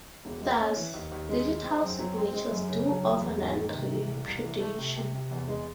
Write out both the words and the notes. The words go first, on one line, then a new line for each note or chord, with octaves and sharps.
Thus, digital signatures do offer non-repudiation.
E1
G#3
C#4
E3
D#2
D#2
G#3
G#3
C4
F#2
F#3
C4
G#3
F#2
C#3
F#3
E1
E2
G#2
D#3
C3
E3
C2
C2
E3
A3
C3
C3
C3
E2
G#3